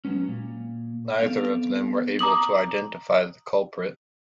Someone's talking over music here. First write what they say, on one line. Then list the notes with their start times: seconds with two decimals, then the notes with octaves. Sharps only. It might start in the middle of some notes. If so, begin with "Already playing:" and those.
Neither of them were able to identify the culprit.
0.05 F#3 G#3 A#3 B3 C#4
0.28 A#2
1.20 B3 C4 A4 D5 F5
2.19 A#5 D6 D#6 F#7